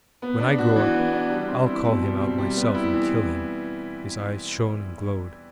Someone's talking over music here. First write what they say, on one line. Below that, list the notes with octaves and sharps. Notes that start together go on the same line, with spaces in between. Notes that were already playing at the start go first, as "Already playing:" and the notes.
When I grow up I'll call him out myself and kill him.' His eyes shone and glowed.
B3
D4
F#4
E3
B3
D4
G3
C4
E4
B2
G3
C4
G3
B3
E4
E3